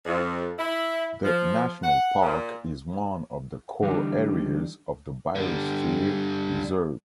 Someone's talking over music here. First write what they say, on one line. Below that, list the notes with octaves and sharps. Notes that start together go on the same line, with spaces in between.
The national park is one of the core areas of the biosphere reserve.
F2
E4
F3
F#5
A#2
D3 E3 G3 D4 D#4
D3 G3